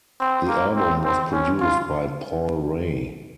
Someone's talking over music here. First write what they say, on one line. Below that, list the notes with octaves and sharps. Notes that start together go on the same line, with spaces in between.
The album was produced by Paul Ray.
C4
A#3
C4
C4
C#4
F4